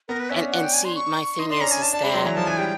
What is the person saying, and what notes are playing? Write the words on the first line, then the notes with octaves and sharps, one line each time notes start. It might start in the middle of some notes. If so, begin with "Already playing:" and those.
and and see my thing is is that
B3 A#4
B4
C#4 E5
D4
F#5
G5
G#5
C6
C#6
C#6
D#4 C6
D4 C6
C#4 A#5
D4 G#5
D4 A5
D4 A5
G#3 B5
F#3 C6
E3 A#5
F3 A5
E3 G#5
G3 G5